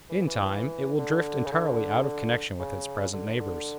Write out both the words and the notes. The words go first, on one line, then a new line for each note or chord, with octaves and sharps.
In time it will drift entirely out of connection with its present neighbors.
E3
E3
E3
D3
C#3
D3
C#3
D3
D3